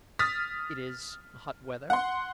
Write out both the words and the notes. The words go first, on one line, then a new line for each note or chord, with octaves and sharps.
It is hot weather.
D#6 F6 A6 B6
F#5 C6